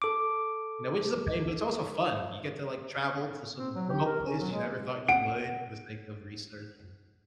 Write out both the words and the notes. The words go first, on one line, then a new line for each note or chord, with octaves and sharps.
you know, which is a pain, but it's also fun, you get to, like, travel to some remote places you never thought you would for the sake of research and
A4 D6
C4
F#3
G4
A#4
C#4
F#3
G#3
F#5 D7